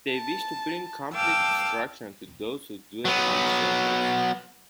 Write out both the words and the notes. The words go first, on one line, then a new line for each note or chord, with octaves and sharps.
They wish to bring complete destruction to those who dwell on the surface.
A5
F5 G5 A5 D6 E6
F#3 B3